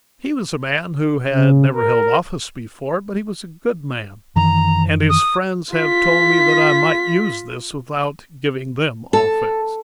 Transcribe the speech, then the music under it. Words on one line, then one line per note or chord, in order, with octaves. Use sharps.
He was a man who had never held office before; but he was a good man, and his friends have told me that I might use this without giving them offense.
C#3
A#4
F#2 D#3 E3 A#5
D#6
F4 B6
A4